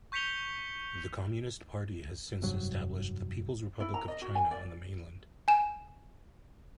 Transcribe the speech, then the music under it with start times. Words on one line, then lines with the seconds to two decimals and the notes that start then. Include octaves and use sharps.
The Communist Party has since established the People's Republic of China on the mainland.
0.12 C#6 G6 B6 C#7 F7 G7
2.42 F1 G2 F#3
3.80 E4
3.94 A#5
4.08 D#5
4.22 F#4
4.35 G#5
4.51 D5
5.48 G#5 E7